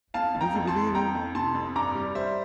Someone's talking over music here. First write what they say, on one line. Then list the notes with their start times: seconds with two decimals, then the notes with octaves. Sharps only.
Do you believe him?
0.14 F2 F5 A5
0.34 F2
0.41 G5 A#5
0.55 F2
0.67 A5 C6
0.75 E3
0.94 F2 G5 A#5
1.15 F2
1.35 C3 A5 C6
1.55 F2
1.75 G2 A#5 D6
1.95 G3
2.15 G3 C5 E5